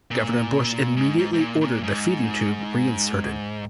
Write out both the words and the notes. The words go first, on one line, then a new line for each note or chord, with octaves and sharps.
Governor Bush immediately ordered the feeding tube reinserted.
A#2
G#2
G#2
G#2
A#2
A#2
G#2